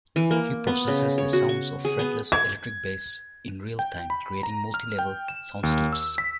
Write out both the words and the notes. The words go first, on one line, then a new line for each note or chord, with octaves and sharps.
He processes the sounds of fretless electric bass in real time, creating multi-level soundscapes.
E3
A#3
B3
C#3
C#5
F#4
C#6
G#4
B3
G#6
G5
B5
A#5
F6
G5
E7
D#2
E6
B6